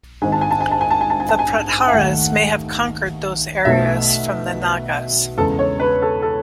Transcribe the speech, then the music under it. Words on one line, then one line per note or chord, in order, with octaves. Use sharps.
The Pratiharas may have conquered these areas from the nagas.
G#1 G#2 D#3 G#5
A5
G#5
A5
G#5
A5
G#5
A5
G#5
A5
G#5
A5
G#5
E5
D#2 D#3 A3 F#5
B1 B2 A3 E5
E2 C#3 G#3 A4
C#5
B4
A4
A4